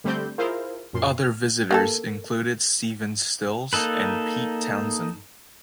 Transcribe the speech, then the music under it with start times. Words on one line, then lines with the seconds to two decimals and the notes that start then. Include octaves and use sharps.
Other visitors included Stephen Stills and Pete Townshend.
0.04 D3 G3 A3 C4 G6
0.38 E4 F4 G#4 A#4 C5 F5
0.93 F#2 A#2 C6
1.18 F6
1.71 A#3 G4 A4
3.73 A#3 D#4 A4 B4